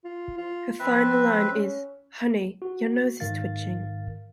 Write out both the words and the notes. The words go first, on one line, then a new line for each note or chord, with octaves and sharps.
Her final line is "Honey, your nose is twitching".
F4
F4
F3 C4 B4 E5
C#4
F#4
G#2 D#3 A#4 F5 A6